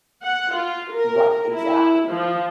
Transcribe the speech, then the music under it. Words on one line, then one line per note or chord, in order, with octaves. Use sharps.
Right, exactly.
F#5
F4
A#4
E4
F3